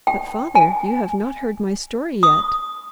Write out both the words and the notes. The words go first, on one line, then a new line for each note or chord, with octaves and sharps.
"But, father, you have not heard my story yet."
G5
G#5
D#6